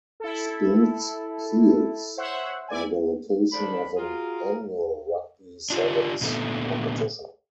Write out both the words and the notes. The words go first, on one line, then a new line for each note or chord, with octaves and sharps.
Sports fields are the location of an annual Rugby sevens competition.
E4 A4
C5 C#5 E5 F#5
E4 D5 G#5
D#3 F3 D4 A4 B5
F4 F#4 G#4 A#4
D4 F4 G4
A#2 D3 A3 B3